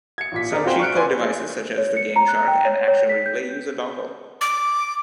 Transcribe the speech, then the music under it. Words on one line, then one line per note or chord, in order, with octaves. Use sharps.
Some cheat code devices, such as the GameShark and Action Replay use a dongle.
G#6 C#7
A1 A#2 B6
D4 G#4 A#4 C5 D5
C4 F4 F#4 C5 G5 G#5
C#6 F6 F#6 C#7 D7
B4 D5 G#5 C6
C#5
C#7
A#5
F#6
G5
C#5
C#5
B6
G6
D6